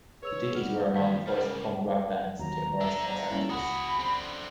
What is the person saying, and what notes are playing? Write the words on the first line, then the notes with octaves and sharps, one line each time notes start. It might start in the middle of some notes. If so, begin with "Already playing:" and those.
The Dickies were among the first punk rock bands to emerge from Los Angeles.
G#4 B4 C#5 E6 F7
G3 F#5 F6
D#2 F3 B6
C#3 G3 A#4 F6
D#2 D#3 F#3 A#5
D4 A4 E5
A#3 C#4 E4
C#2 F#4 G#4 F#5 B5 D#6
D3 C4